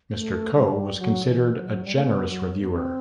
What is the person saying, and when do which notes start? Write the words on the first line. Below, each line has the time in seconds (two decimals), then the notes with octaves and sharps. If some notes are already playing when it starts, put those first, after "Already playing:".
Mr. Coe was considered a generous reviewer.
0.12 A3
0.55 G3
0.98 F#3
1.27 E3
1.56 F#3
1.85 G3
1.96 A3
2.06 B3
2.28 F#3
2.61 B3
2.72 C4